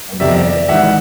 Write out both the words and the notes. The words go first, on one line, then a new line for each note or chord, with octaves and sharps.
And then,
G1 F2 C3 D5 E5
G#1 G#2 E3 E5 F#5